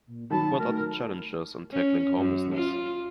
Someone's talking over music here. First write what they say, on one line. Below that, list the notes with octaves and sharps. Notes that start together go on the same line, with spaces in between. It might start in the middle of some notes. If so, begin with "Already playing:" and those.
What are the challenges in tackling homelessness?
A#2
D#3 F#3 A5 B5
A3 A#4
A#4
C#4
F#2
F4